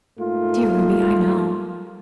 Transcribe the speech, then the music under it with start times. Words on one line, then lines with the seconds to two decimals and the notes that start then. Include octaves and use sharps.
"Dear Ruby, I know."
0.18 G#2 A3 A#3 F4